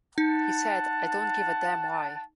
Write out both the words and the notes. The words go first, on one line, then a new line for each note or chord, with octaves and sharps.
He said, I don't give a damn why.
D#4 F#5 A5